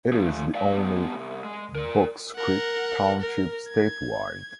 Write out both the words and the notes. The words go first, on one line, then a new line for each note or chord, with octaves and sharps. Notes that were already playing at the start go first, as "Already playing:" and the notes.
It is the only Bokescreek Township statewide.
F3 A3
D5 F5
G3 B3
C2 D#3
G#3
A#4 D5
A#4 F#5
A#4
G#6